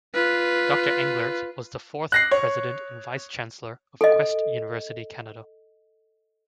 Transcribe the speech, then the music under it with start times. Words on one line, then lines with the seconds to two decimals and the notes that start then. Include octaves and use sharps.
Doctor Englert was the fourth president and vice-chancellor of Quest University Canada.
0.14 F4 B4
2.12 F#6 A#6 C7
2.31 C#5
4.01 A4 D#5